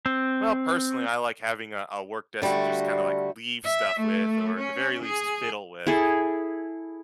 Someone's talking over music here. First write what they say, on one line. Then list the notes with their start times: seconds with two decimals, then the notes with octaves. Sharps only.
Well, personally, I like having a a work desk that just kinda, like, leave stuff with or- at the very least- fiddle with,
0.06 C4
2.42 D3 G3 A3 F#4
3.65 E5
3.99 A3
4.58 C#4
5.02 G#4
5.87 E4 G#4 A4